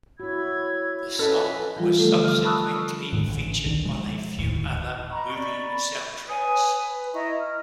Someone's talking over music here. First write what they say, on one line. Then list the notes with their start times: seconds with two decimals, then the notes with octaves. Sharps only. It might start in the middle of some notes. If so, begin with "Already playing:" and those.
The song was subsequently featured on a few other movie soundtracks.
0.20 E4 F#4 C#5 B5 E6 G#6
1.19 C#4 A4 B4 D#5 F#5
1.76 E3 F3 G3 F4
1.98 D3 A3 A4
2.24 F6
2.45 A5 B5 C#6 D#6 E6 F#6
3.13 G#2 D3 D#3 G#3
3.28 A1
3.64 D2 B2 D#3 D4
3.85 B2 F3 G#3
4.37 E1 D2 A2 D#3
5.11 D#5 A#5 B5 C#6
5.32 D5 B5 C#6
6.28 B4 C#5 G#5 D#6
6.73 B4
7.13 E4 D#5 A#5 C#6
7.39 F6